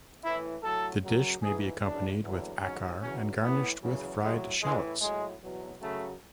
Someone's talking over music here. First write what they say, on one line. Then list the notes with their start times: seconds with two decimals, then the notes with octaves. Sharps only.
The dish may be accompanied with acar and garnished with fried shallots.
0.23 A2 E3 E4
0.63 A2 F#3 A4
1.03 F#2 C#3 F#3
1.42 G#2 E3 G#4
1.82 E2 C#3 F#3 D4
2.22 E2 D3 F#3
2.62 G#2 F#3 C#4
3.01 E2 C#3 F#3 C#4
3.41 A2 E3 B3
3.81 E2 C#3 F#3
4.21 A2 F#3 G#3
4.61 A2 E3 G#3
5.01 A2 F#3 G#3
5.41 E2 B2 F#3
5.81 F#2 C#3 F#3 A3